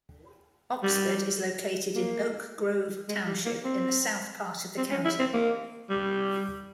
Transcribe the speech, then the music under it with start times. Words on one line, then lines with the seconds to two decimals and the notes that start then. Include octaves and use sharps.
Oxford is located in Oak Grove Township in the south part of the county.
0.83 G3
1.95 A#3
3.08 G#3
3.27 G3
3.46 A#3
3.65 C4
4.77 C4
4.91 C#4
5.05 E4
5.19 C4
5.33 A#3
5.90 G3